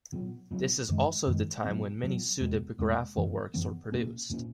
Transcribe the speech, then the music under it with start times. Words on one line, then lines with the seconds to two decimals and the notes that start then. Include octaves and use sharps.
This is also the time when many pseudepigraphal works were produced.
0.12 A#2 F#3 B3
0.51 A#2 F#3 B3
0.88 F#2 D#3 G#3
1.26 F#2 D#3 G#3
1.64 A#2 F#3 B3
2.03 A#2 F#3 B3
2.40 E2 B2 G#3 B3
2.78 E2 B2 G#3 B3
3.16 F#2 E3 B3
3.54 F#2 E3 B3
3.92 A#2 A#3 C#4
4.30 A#2 A#3 C#4